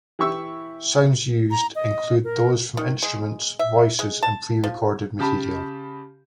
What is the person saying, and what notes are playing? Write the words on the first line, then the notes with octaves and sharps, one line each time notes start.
Sounds used include those from instruments, voices, and pre-recorded material.
E3 E4 G4 C#6 E6
A#5
D#5
A#4
D#3
G#3
E5
G#3
A5
F3
C#3 G4 A5 B5